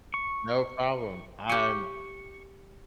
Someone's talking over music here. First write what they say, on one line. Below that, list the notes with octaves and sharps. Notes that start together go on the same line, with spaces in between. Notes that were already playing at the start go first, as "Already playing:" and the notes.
No problem, I'm
C#6
G4 G#5 C#6